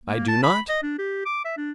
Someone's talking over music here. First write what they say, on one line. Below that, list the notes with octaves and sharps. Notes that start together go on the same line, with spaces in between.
I do not.
A#3
A5
B5
D#5
D4
G4
D6
E5
D4